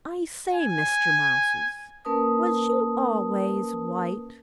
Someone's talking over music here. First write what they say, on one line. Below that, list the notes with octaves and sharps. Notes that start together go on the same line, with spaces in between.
"I say, Mr. Mouses, was you always white?"
G#5
A#3 C#4 A#4 B4 A5 D#6